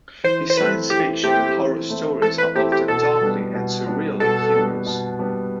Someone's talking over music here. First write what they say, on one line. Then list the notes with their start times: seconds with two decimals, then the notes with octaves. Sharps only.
His science fiction and horror stories are often darkly and surreally humorous.
0.24 E3 C5
0.50 C5
0.57 A3 C4 E4 B4
0.90 E3 G4
1.23 A3 C4 E4 G4
1.57 E3
1.89 A3 C4 E4
2.22 E3 A4
2.38 B4
2.55 A3 C4 E4 G4
2.72 G4
2.88 B2 A4
3.21 G3 B3 D4
3.54 B2
3.87 G3 B3 D4
4.20 B2 A4
4.54 G3 B3 D4
4.86 B2
5.19 G3 B3 D4